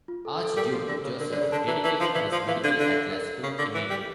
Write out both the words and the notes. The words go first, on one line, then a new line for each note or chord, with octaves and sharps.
Archduke Josef dedicated his medical atlas to Kneipp.
F4
A4
A4
G3 A#4
F3
D3
C#3
D3 A#4
D3
D5
C#3
D3 A5
E3 A#5
E3 A5
F3
E3
F3
E3 F5
D3
D3
A#4
C#3
D3
E3
G3